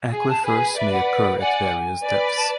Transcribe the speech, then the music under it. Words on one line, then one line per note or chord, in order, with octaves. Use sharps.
Aquifers may occur at various depths.
G#4 G#5
A5
G#4 B4 G#5
B4 D5 E5
F#5
D5 F#5 G#5
B4 D5
A5